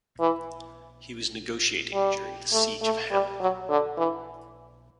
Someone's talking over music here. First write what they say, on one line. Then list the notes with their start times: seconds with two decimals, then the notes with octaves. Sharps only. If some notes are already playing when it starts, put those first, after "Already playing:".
He was negotiating during the "Siege of Hameln".
0.20 E3
1.94 G3
2.53 A3
2.82 A3
3.11 G3
3.40 F#3
3.69 D3
3.97 E3